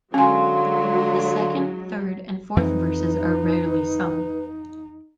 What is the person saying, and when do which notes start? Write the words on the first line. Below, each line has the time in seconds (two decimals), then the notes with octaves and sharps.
The second, third and fourth verses are rarely sung.
0.14 D3 F#3 G#3 C#4 F5 G#5 C6
2.57 F2 E3 C4 D#4 B4